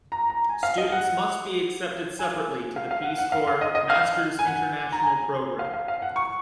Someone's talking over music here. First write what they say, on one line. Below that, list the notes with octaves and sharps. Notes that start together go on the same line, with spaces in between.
Students must be accepted separately to the Peace Corps' Masters' International Program.
A#5
A#5
G#5
F5
D#5
F#5
G#5
F5
F5
F#5
F#5
F5
F5
D#5
D#5
F5
G#5
F#5
A#5
G#5
F5
F5
F5
F#5
C#6